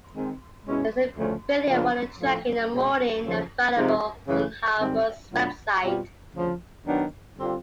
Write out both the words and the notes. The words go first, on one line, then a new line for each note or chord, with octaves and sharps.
There is a video for the track "In the Morning" available on Halford's website.
D#3 G#3 C4
B2 G#3 C#4 E4
D2 C#3 F3 A3 C#4
C#3 F3 A#3 D4 F4
A2 F3 A3
B2 G#3 C4
D#2 C#3 F3
C3 F3 G#3 C4 D#4
F#2 C#3 E3 A3
G#2 D#3 G3 C4
B2 F#3 A3 D4 F4
B2 G3 C4 F4
D2 C#3 F3
D#3 F#3 B3 D4
D3 G3 C4 F4